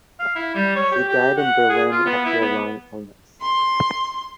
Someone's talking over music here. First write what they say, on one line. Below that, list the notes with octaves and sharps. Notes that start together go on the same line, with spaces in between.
She died in Berlin after a long illness.
F5
E4
G3
C#5
G4
G4
F#5
G#4
F4
B3
E4
B3
C6